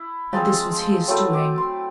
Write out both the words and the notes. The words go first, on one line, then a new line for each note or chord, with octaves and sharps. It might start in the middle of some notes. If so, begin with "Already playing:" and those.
And this was his doing.
Already playing: E4
F3 G#3 C4
F#3 A3 C4 E4 C#6
D6
C6